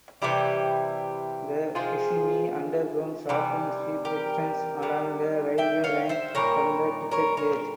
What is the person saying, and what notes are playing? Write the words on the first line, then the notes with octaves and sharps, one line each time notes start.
The Fushimi Underground Shopping Street extends along the railway line from the ticket gate.
C3 E3 G3 E4 G4
C3 F3 G#3 F4 G#4
C3 E3 G3
G4 A#4
C3 G3
E5 G5
C#5 F5
C5 E5
A#2 G3 A#4 C#5
A#4 C#5
A#4 C#5